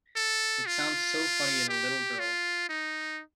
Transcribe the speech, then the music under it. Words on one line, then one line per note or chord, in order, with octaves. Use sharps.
It sounds so funny in a little girl.
A4
F4
G4
F4
D#4